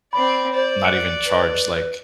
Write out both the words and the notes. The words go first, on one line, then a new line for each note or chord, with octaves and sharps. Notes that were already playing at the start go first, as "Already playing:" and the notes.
not even charge, like
C4 D5 B5
C5 D5
F#6 C#7 D7
B4
B4